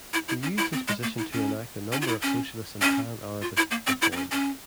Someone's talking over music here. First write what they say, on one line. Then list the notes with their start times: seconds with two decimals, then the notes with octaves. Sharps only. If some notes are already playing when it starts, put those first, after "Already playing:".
He used his position to enact a number of socialist and Pan-Arabist reforms.
0.14 E4
0.28 E4
0.43 C#4
0.58 E4
0.73 C4
0.88 G#3
1.03 A#3
1.18 E4
1.33 C#4
1.92 C#4
2.02 F4
2.07 E4
2.23 C#4
2.82 C#4
3.42 F4
3.57 E4
3.71 A#3
3.87 C4
4.02 E4
4.12 C4
4.16 C#4
4.32 C#4